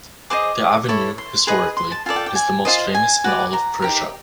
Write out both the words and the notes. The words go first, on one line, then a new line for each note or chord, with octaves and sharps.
The avenue, historically, is the most famous in all of Persia.
G#4 C5 D#5 D6
E4 A4 C#5 C#6
C6
G#4 B4 D#5
C6
A5
F4 A4 D5 G#5
G5
G5
G#5
F4 A4 C5 D#5
G#5
F#4 B4 D5
A#5
D#4 G4 A#4